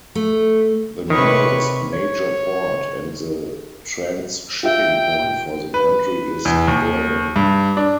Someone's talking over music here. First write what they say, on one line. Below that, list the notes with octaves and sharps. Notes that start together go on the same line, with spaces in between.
The nearest major port and the transshipping point for the country is Durban.
A3
C3 D#3 B4 C#5
C#5
F4 E5 G5
B4
E2
D#2
G2
D4